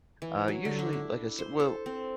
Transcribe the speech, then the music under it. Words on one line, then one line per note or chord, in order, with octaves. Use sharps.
Uh, usually, like I sai well,
E3
F#3
D3
D4
E4
C5
A4
C4